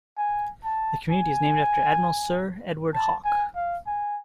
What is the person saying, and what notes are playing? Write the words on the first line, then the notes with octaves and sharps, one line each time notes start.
The community is named after Admiral Sir Edward Hawke.
G#5
A5
G#5
A5
G#5
F5
G#5